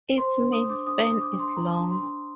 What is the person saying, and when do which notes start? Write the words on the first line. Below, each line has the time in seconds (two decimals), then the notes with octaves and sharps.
Its main span is long.
0.18 C5 C6
0.41 D4
0.52 D#6
0.64 D4
0.70 D6
0.87 D4 D#6
1.05 D#6
1.10 D4
1.21 D6
1.33 D4
1.39 C6
1.56 D4 A#5
1.74 A#5
1.80 D4
1.91 C6
2.03 D4